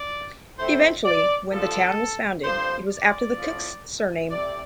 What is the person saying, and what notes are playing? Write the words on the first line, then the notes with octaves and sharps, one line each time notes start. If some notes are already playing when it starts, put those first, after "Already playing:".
Eventually when the town was founded it was after the cook's surname.
Already playing: D5
A2 A3 C4 C5
D5
G2 D3 F3 C4 A4
G2 D3 F3 C4 C5
D5
A2 F3 C4
C3 A3 C4 D5